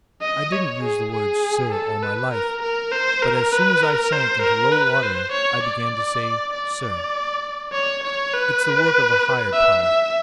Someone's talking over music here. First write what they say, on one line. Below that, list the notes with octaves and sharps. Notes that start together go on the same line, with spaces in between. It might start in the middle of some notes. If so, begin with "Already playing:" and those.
I didn't use the word 'sir' all my life, but as soon as I sank into low water I began to say 'sir.' It's the work of a higher power.
D#5
C#5
G#4
G#4
A4
B4
A#4
A#4
C5
A#4
B4
A#4
C5
A#4
B4
C5
C#5
D5
D5
C#5
C#5
B4
E5
E5